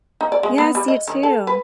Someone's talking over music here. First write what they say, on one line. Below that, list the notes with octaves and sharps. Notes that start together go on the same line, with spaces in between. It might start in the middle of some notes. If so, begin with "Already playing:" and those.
Yes, you, too.
D#4
D5
G#3
B3
G3
D#5
D#3
A4
B4